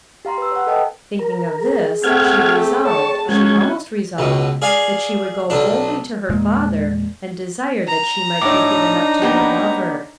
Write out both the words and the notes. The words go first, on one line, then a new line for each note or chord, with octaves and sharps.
Thinking of this she resolved--she almost resolved--that she would go boldly to her father and desire that she might be given up to her lover.
G4 F5 A#5 C6
B4 E6
C#5 F5 F#5
A4 B4 D#5 G5 A5 D#6
A#4
G#4
A3 C4 G4 F#5 F6 G#6
C#5 A5
F#3 G#3 C#4 G#6
C#2 B2
G#4 D5 F5 G#5
B1 D4
E2 A#2 G#3 A#3
A#5
A2 D4 D#4 C#5 D6
A#3 B3 G4